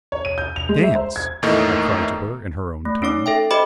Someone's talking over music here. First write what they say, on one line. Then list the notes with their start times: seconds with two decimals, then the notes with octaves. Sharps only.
"Dance," I cried to her in her own tongue.
0.12 C#5
0.25 D#7
0.38 G6
0.56 F7
0.69 G#3
0.83 E5
0.95 C5
1.16 G#6
1.42 E2 A2 D#3 A3 A#3 D#4
2.85 A3
3.02 C#4 D#4 C#5 D6
3.26 A4 E5 G5
3.51 G4 C5 D#5 B5 D6